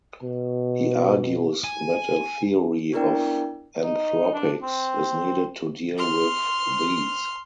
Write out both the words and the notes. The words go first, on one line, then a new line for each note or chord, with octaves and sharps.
He argues that a theory of anthropics is needed to deal with these.
B2
G#5
B3 D4 E4 A#4 D5 G5
D#4
D4
C4
C6 F6